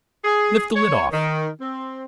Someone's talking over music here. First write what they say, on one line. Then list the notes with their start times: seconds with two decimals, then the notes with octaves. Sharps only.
"Lift the lid off!"
0.24 G#4
0.74 C#5
1.12 D#3
1.60 C4